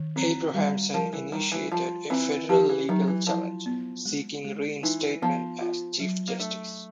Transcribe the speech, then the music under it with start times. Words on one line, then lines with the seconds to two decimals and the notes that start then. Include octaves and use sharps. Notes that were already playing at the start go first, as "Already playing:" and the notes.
Abrahamson initiated a federal legal challenge seeking reinstatement as Chief Justice.
Already playing: D#3
0.16 F#3 C4
0.54 G3
0.94 F3 A#4
1.13 E3
1.32 D#3 G3
1.52 E3
1.72 F3 F4
2.10 E3 C4
2.49 F3 G4
2.69 E3
2.89 D#3 F#3
3.08 E3
3.27 F3 E4
3.66 B3
4.06 G#3
4.44 G#3
4.83 E3 D#4
5.22 F3 B3
5.61 F4
6.00 F#3
6.28 A#3
6.39 A3 D4